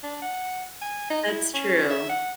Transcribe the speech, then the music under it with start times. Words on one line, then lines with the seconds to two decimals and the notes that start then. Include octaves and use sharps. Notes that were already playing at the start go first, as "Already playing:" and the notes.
That's true.
0.03 D4
0.22 F#5
0.82 G#5
1.10 D#4
1.28 E4
1.54 C#4
1.90 E5
2.09 F#5